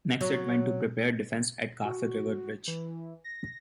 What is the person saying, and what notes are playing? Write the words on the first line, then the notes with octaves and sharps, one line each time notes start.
Next it went to prepare defences at Kaffir River Bridge.
F#3
F#4
E3
A#6